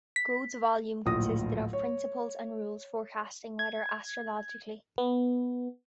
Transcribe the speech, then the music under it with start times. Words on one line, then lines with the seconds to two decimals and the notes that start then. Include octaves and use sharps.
Goad's volume consisted of principles and rules forecasting weather astrologically.
0.16 B6
1.06 D1 A#1 A2 D#6 A#6
1.73 C#5
3.59 G#6
4.98 B3